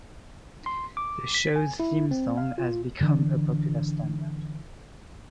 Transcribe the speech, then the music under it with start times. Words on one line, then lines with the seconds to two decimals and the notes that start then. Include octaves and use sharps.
The show's theme song has become a popular standard.
0.66 C6
0.97 D6
1.34 B6
1.56 G#5
1.80 E4
2.11 C4
2.37 F5
2.58 F4
3.01 D3 E3 G#3 D4